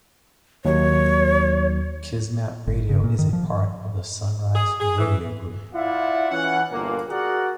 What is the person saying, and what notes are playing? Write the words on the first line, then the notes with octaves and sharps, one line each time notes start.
Kismat Radio is a part of the Sunrise Radio Group.
D#2 F#3 C#5
G1
C#3
A#2
D#3
F3
G#4
G#4
E3
E4 F4 D5 E5 F#5
E3 C#4 F#5
G1 A#2 A#3
F#4 G#4 A#4 D5 F#5